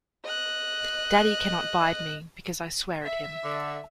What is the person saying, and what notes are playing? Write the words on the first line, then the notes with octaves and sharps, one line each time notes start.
Daddy cannot bide me, because I swear at him.
D#5 F#6
E5
D3